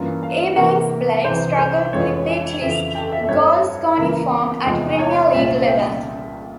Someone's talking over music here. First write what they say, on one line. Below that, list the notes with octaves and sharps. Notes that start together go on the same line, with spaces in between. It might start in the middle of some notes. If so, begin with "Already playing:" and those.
Ebanks-Blake struggled to repeat his goalscoring form at Premier League level.
Already playing: G2 E3 A#3 C#4 F4
F5
C3 E3 A#3 A#4
C2 C3 E3 C5
C5
F2 E3 G#3 C#4 F4 C#5
F2 C#3 E3 E5
G5
E5
E5
G2 G3 C4 C#5
C#2 C#3 E3 A#3 A#4
E2 C3 F3 G#3
C#5
C2 A#2 G3 C#4 F4 E5
G5